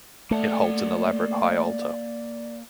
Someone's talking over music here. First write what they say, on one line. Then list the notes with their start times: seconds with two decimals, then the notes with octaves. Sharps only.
It holds an elaborate high altar.
0.31 A3 A#3 D5 F#5